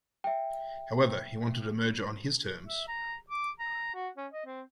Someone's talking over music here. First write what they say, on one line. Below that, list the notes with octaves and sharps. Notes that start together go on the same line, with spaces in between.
However, he wanted a merger on his terms.
E5 G5
E5
A#5
D6
A#5
F#4
C#4
D#5
C4